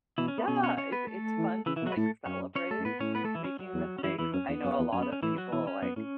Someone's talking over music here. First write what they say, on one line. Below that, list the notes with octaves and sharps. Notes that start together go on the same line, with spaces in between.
Yeah, it's it's fun to, like, celebrate making mistakes, I know a lot of people, like,
B2 E3 E4
C#4
B3
B2 C#4
C#4 C#5
C#4 C#5
B3 B4
A3 A4
E3
C#3 E3 E4
E3 E4
B2
F#3 F#4
B4
A2 A3 A4
F#2 C#4 C#5
C#4 C#5
A3 A4
F#2
A2 B3 B4
A2 C#4 C#5
B3 B4
A3 A4
E3 E4
C#4
F#3 F#4
E2
C#4
F#2 E3 E4
E2 E3 E4
F#2 C#4
E2 B3
F#2
E2
F#2 C#4
B3
C#4
A2 E3 E4
F#3 F#4
B2 E3 E4
C#4
F#2 B3
A2 C#4